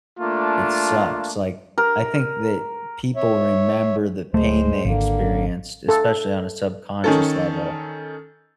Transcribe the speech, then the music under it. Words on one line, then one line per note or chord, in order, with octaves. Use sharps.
it sucks. Like, I think that people remember the pain they experienced, especially on a subconscious level,
A3 A#3 D4 F4
A#4
C#5 E5
D1 G#3 A3 C5
G#1 D3 A#3
A4
D#3 C#4 A4